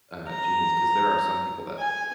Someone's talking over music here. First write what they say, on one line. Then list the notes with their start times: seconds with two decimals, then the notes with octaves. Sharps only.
uh, genes 'cause there are some people that
0.29 A#5
1.79 G#5